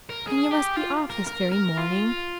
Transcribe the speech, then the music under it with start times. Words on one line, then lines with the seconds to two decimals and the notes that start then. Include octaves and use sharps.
"And you must be off this very morning?"
0.09 A#4
0.27 G#4
0.51 G4
0.76 F4
1.10 A#4
1.27 A#4
1.52 A#4
1.77 F4